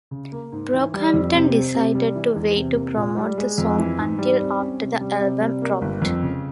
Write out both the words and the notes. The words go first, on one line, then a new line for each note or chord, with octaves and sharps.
Brockhampton decided to wait to promote the song until after the album dropped.
C#3
A#3
G#2
E3
G3
F2
C3
C4
C3
G3
E3
E2
C3
A#3
A#2
G3
G#3
F2
E3
G#2
G3
C4
C#4
C3
G3
C3
G3
A#3
G1
F2
C#3